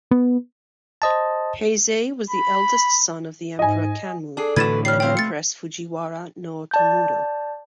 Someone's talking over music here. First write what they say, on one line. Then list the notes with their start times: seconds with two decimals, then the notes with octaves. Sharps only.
Heizei was the eldest son of the Emperor Kanmu and empress Fujiwara no Otomuro.
0.11 B3
1.02 C5 D#5 A5
2.30 B5
3.59 G#2 D#5 G#5
4.37 D4 G#4 A4
4.56 A2 D3 E3 F#4 B4 G#6 A6 E7
4.85 G3 C#5 F6 C7
5.00 B2 C4 F5 G5
5.17 A3 A6 C#7
6.71 D5 A5 G6